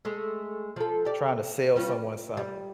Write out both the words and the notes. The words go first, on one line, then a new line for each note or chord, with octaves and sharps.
trying to sell someone something.
G#3 A3
F3 A4
G4 D5
G3 C#4 F4
D5
G3